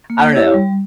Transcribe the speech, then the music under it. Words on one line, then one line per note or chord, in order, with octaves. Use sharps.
I don't know.
A#3
E4 G4 C#5
G3